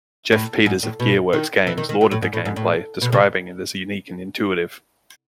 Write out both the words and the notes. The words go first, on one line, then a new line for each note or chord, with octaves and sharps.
Jeff Peters of GearWorks Games lauded the gameplay, describing it as unique and intuitive.
A2
G#2
A2
B2
D#3
E3
D#3
D#3
F#3
A2
G#2
A2
G#2
A2
B2
C#3